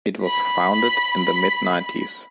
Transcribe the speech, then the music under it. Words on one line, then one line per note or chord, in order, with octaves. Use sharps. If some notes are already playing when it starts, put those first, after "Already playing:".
It was founded in the mid-nineties.
B5 B6